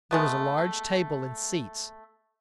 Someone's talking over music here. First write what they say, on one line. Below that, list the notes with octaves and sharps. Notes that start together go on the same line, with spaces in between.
There was a large table and seats.
G#3 A3 B3